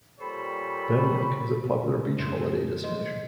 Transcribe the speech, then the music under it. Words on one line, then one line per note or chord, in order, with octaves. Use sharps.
Benllech is a popular beach holiday destination.
A#2 G3 A4 C5 C#5 B5
F#2 A2 B3 E4 C5
G#3 C5 D#5